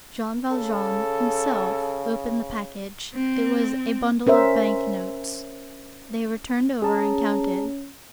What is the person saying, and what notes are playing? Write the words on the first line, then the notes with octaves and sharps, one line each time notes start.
Jean Valjean himself opened the package; it was a bundle of bank-notes. They were turned over and counted.
C#3 A4
C4
C#4 A#4 C5 E5
C#4 G#4 A5 A#5